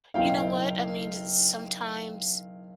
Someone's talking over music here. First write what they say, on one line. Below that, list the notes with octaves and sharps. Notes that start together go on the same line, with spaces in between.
you know what? I mean, d sometimes
F#1 B1 E4 F5 G5